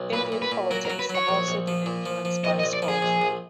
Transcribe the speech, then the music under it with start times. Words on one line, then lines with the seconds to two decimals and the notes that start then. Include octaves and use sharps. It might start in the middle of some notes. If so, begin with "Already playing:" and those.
Indian politics have also been influenced by astrology.
Already playing: B1
0.13 A#2 B4
0.32 A#2
0.42 B4
0.52 A#2
0.71 F#3 A#4
0.85 A#4
0.90 F#3
0.99 B4
1.09 F#3
1.15 C#5
1.29 A#1
1.48 A#1
1.67 F3
1.86 A#2
2.06 F3
2.25 F3
2.44 A#1 D#5
2.59 D#5
2.64 A#1
2.73 D5
2.82 F3
2.88 G#4
3.02 A#1
3.22 A#1